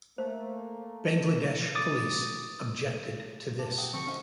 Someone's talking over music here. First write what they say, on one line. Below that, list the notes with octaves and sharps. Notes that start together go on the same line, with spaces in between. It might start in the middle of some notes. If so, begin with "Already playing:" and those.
Bangladesh Police objected to this.
A3 A#3 C5
D6 D#6 A6
F#1 A5 D6
F#5 G5 D#6
D3 F3 C4 C#6
C#4 F#4 C5 D#5